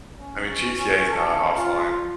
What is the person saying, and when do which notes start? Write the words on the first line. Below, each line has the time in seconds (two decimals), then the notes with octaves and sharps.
I mean, GTA is not offline.
0.21 C#4
1.09 A4
1.55 F4